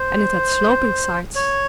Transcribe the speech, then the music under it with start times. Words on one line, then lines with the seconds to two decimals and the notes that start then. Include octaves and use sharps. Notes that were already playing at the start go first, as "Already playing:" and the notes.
And it had sloping sides.
Already playing: C5
1.35 C#5